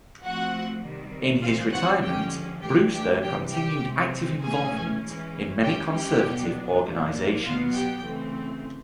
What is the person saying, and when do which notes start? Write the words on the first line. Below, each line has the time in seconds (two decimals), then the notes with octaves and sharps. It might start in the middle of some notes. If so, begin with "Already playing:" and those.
In his retirement Brewster continued active involvement in many conservative organizations.
0.22 F3 A3 C4 F#4 F#5
0.83 C3 D#3 G3
1.42 E3 G#3 C4 F4 F5
1.72 F#4 F#5
2.02 D3 F3 G#3 C#4 G4 G5
2.62 E3 A3 D4 G4 G5
2.92 G4 G5
3.22 C3 E3 G3 G4 G5
3.52 G4 G5
3.82 C3 E3 G#3 C4
4.42 A2 E3 A3 C#4 G#4 G#5
5.03 E3 G#3 C#4
5.62 E3 G#3 C#4 G4 G5
5.92 G4 G5
6.22 B2 F#3 B3 D4
6.82 A#2 F3 A#3 D4
7.42 B2 F#3 B3 F4 F5
7.73 G4 G5
8.03 C#3 E3 A3 C4